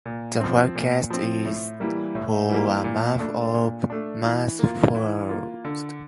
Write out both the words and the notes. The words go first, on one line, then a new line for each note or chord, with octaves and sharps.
The forecast is for a month of harsh frosts.
A#2
F3 C4
A#2
F3 C4
A2
E3 G3 A#3
A2
E3 G3 A#3
A#2
A3 D4
A#2
A3 D4
E3
A#3 F4
E3
A#3 F4
D3